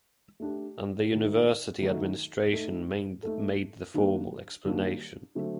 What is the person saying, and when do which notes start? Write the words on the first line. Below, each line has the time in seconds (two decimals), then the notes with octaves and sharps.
And the university administration made the formal explanation.
0.40 A3 D4 G4
1.11 D#3 A3 D#4 F#4
1.81 D#3 A3 D#4 F#4
2.52 A3 D#4 A4
3.23 A3 D#4 A4
3.94 D#3 G3 A#3 D4 F#4
4.65 D#3 G3 A#3 D4 F#4
5.35 D3 F#3 A3 C4